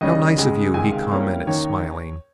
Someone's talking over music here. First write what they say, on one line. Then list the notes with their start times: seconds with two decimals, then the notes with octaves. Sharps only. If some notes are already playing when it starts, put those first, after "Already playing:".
"How nice of you!" he commented, smiling.
0.01 D#2 C#3 G3 C#4 D#5
0.38 C#2 C#3 G#3
0.74 C#2 C3 D#3 G#3 G#5
0.92 F5
1.11 C2 C3 G3 A#3 C#4 F5
1.46 D#2 D#3 A#3 C#4 C#5